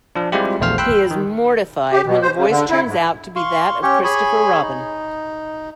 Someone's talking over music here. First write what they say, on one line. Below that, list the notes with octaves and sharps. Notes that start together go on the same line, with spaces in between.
He is mortified when the voice turns out to be that of Christopher Robin.
F3 D4
G3 G#3 C4 E4 F4 G4
A#1 E2 A3 C5 F5 F6
G5 B5 C6 E6 F#6
D#3
G4
B2
C5
C#3
D3
E4
G#2
F5 C6 C#6
C#4 G4 C#5
G#4 C#5 G#5 B5
D#4